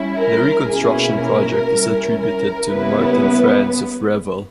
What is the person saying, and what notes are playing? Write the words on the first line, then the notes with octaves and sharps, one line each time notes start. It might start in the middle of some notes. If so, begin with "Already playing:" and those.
The reconstruction project is attributed to Martin Franz of Reval.
Already playing: G3 C#4 E4
A#4
B2 A#3 C#4 E4 G#4
A#4
G3 C#4 E4
A#4
C#3 G3 A#3 B3 C#4 E4 B4